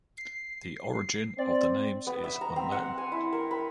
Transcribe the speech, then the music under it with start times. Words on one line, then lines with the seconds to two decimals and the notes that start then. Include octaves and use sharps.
The origin of the names is unknown.
0.18 C7
1.39 C4 D5
2.07 B3
2.24 E5
2.41 A#5
2.56 C4
2.72 F#5
2.98 G#5
3.12 E4
3.33 A#4
3.51 B5